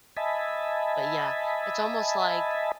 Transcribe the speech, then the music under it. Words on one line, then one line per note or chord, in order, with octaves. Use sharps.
But, yeah. It's almost like
D#5 E5 G#5 A5 B5